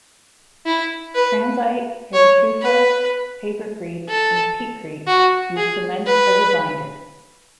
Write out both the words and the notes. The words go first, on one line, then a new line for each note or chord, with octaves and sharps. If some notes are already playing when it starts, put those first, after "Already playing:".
Transite, hypertufa, papercrete and petecrete used cement as a binder.
E4
B4
C#5
B4
A4
F#4
G#4
B4